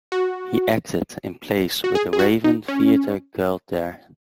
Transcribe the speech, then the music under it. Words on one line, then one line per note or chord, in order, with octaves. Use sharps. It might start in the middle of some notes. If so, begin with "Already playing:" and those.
He acted in plays with The Raven Theatre Guild there.
F#4
F#4
G#4
G#4
F#4
D#4
C#4